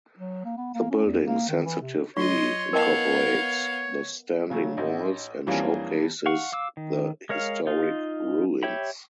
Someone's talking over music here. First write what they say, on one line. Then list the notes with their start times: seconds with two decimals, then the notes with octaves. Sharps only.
The building sensitively incorporates the standing walls and showcases the historic ruins.
0.18 F#3
0.45 A#3
0.58 B3
0.75 A#3
0.90 C#4
1.06 E2
1.26 A#3
1.49 D#3
1.66 E3
1.82 C3
2.17 F#3 F4 C#5 D#5 C6
2.73 B3 E4 A#4 D#5 F5 G5 A5
4.50 C#3 F#3 A3
4.77 A1 D#4
5.47 F2 E3 G3 A#3 C#4 D4
6.26 F5 F#5 C#6
6.52 F5 D6 E6
6.77 D#3
7.29 G#3 A#4 C#5 F5
7.67 D#4 F4
8.63 G4 C#5 E5 G5 B5